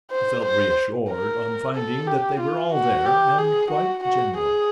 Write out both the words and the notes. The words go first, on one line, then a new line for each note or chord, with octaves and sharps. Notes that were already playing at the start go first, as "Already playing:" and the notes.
He felt reassured on finding that they were all there and quite genuine.
C5
C5
A#4
A4
G4
F4
F#4
G4
G#4
F#4
F#4
G#4